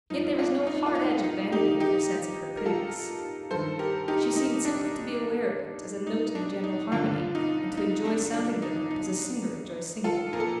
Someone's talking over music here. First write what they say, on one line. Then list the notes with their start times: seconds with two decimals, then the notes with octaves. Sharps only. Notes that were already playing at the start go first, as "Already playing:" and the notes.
Yet there was no hard edge of vanity in her sense of her prettiness: she seemed simply to be aware of it as a note in the general harmony, and to enjoy sounding the note as a singer enjoys singing.
0.10 G2 F3 D#4
0.39 D4 F4
0.67 D#4
0.86 F4
0.95 D#4
1.24 D#4
1.52 D#4 G4
1.80 D#4 G4
2.57 A#4
2.66 F4 A4
3.51 G2 D#3 A4 C5
3.79 G4 A#4
4.08 D#4 G4
4.36 D#4
4.65 D4
6.07 D#4
6.35 D4
6.64 D#4
6.92 G2 D3 F3 D4 F4
7.35 D#4
7.77 D#4
8.05 D4
8.33 D4
8.62 D#4
8.91 D#4
10.04 F4 A4
10.33 A#2 F3 A#4
10.40 A4